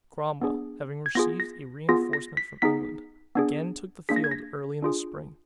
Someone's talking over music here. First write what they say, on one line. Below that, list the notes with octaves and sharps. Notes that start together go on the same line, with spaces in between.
Cromwell, having received a reenforcement from England, again took the field early in the spring.
B3 D4 G#4
G#6
B3 F4 G#4 A#6
A#6
B3 F4 G#4 A#6
A#6
B6
B3 D#4 G#4 B6
B3 D4 G#4
A#3 D4 G#4 B6
A#6
G#6
A#6
D4 F4 G#4